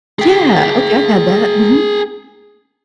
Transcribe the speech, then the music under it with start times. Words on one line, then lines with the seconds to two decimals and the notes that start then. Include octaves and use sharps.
Yeah. Okay. I've had that. Mhm.
0.19 G#4 G5